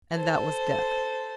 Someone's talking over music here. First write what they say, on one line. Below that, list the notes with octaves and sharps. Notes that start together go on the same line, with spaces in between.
And that was death!
A4 C5